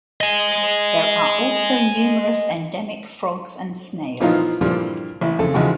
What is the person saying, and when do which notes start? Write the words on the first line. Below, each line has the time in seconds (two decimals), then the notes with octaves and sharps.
There are also numerous endemic frogs and snails.
0.21 D#5 G#5
4.20 A#2 E3 F3 B3 D#4 F4
4.61 G2 A#2 D3 E3 F3 G3
5.21 A1 A2
5.39 F2 C#3 E3 A4
5.54 G#1 E2 C#3 F3 G#3 F#4